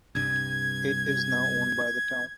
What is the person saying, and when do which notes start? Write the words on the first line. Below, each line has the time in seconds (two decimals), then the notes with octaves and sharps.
It is now owned by the town.
0.15 C2 G2 G#6